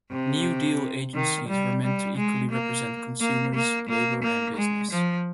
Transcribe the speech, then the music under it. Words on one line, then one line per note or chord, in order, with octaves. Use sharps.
New Deal agencies were meant to equally represent consumers, labor and business.
C3
D#3
G3
G3
G#3
A#3
A#3
A#3
A#3
A#3
G#3
F3